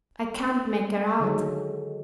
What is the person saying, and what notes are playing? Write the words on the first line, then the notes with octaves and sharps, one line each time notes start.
I can't make her out.
D3 D#3 F#3 G#3